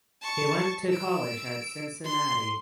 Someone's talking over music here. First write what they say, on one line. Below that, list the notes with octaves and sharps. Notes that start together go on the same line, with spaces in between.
He went to college at Cincinnati.
A5 C#6
E6 D7
C6